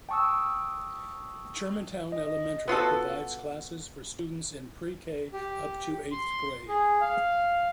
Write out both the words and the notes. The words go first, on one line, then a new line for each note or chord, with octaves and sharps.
Germantown Elementary provides classes for students in Pre-K up to eighth grade.
G5 A5 C#6 D#6 E6
D#5
B3 F4 F#4 A4
G4
C6
G#4
F5